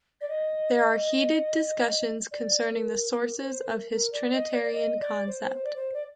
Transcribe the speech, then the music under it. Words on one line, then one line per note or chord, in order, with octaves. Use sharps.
There are heated discussions concerning the sources of his trinitarian concept.
D5
D#5
D5
A#4
A#4
C5
A#4
A#4
D5
D#5
D5
D5
D#5
D5
C5
C5
D5
C5
D5